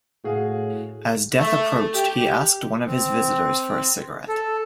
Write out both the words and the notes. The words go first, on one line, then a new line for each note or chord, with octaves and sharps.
As death approached he asked one of his visitors for a cigarette.
A2 F#4 G#4 F5
A3
G4
C4
A4